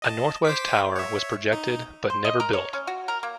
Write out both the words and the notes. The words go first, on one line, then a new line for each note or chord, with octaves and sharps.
A northwest tower was projected but never built.
D#5 A5
C5 D6 B6
C#5 E5
D#4
C5
D#5
A#4
C#5
C#4
F#4
A#4
A#3